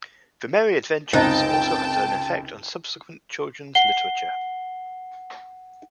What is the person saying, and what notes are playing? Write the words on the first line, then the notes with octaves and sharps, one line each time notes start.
"The Merry Adventures" also had an effect on subsequent children's literature.
C#2 F#2 C3 D#4 C5 D#5 G5 A5
F#5 C7 G7